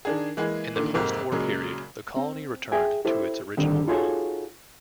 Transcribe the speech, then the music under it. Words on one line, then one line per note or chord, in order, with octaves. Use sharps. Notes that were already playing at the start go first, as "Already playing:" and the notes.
In the post war period the colony returned to its original role.
D#3 D4 G#4
E3 G#3 A#3 G#4
A#2 D3 D#3
F2 G#2 C3 A#3
A#2 C#3 F#3 G#3
C4
G#4 E5 G5 G#5
E4 G4 A4 C5
D3 D#3 G3 C4
D#4 F4 F#4 G#4 A4 C#5